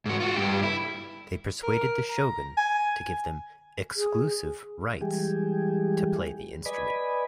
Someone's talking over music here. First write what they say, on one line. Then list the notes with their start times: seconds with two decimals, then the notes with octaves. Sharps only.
They persuaded the Shogun to give them "exclusive rights" to play the instrument.
0.06 G#2 F#4
0.20 F4 F#4
0.37 G2 G4
0.62 E4
1.63 A#4
2.10 A#5
2.57 G#5
3.96 G#4
5.01 E3 G3 G#3 G4 G#4
6.66 B4 D5 D#5 G#5 B5